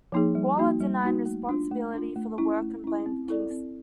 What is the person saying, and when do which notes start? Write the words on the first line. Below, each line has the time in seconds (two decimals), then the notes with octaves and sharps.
Gawler denied responsibility for the work and blamed Kingston.
0.12 F3 A#3 D#4 G#4
0.35 G3
0.58 A#3 D#4 F#4
0.81 G3
1.03 A#3 D#4 F#4
1.26 A3
1.49 D4 F4
1.71 A3
1.94 D4 F4
2.16 A3
2.38 C#4 E4
2.61 A3
2.84 C#4 E4
3.06 C4
3.28 E4 A4 D5
3.51 C4